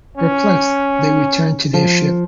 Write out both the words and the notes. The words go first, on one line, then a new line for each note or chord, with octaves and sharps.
Perplexed, they return to their ship.
C#4
F3